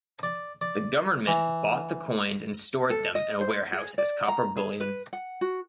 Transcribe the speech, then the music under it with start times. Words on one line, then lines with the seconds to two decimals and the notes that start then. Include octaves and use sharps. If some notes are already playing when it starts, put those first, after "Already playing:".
The government bought the coins and stored them in a warehouse as copper bullion.
0.23 D5
0.61 D5
1.27 E3
2.90 A4
3.15 D#5
3.41 C5
3.73 G#4
3.98 D5
4.28 A#5
4.57 G#4
4.80 B4
5.13 F#5
5.41 F#4